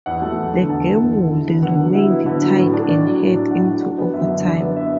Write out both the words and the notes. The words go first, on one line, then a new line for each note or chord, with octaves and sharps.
The game would remained tied and head into overtime.
E2 F#5
A3
E2
D3
E2 A5
A3
E2
D3
E4
B3
D3 F#5
F#3
E4
B3
D3 B4
F#3
A2
D4
A2 D5
F#3
A2
D4
A2 F#5
F#3
D4
B3
F#2 E5
D3
D4
B3
E5